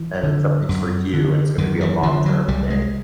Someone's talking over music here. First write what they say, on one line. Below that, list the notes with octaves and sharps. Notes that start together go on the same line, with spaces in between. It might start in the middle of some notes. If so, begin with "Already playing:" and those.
and it's something for you, and it's gonna be a long-term thing.
Already playing: E3
D3
F#2
D3
F#2 D#3
E3
D3 F3
F#3
C2 G3
G#3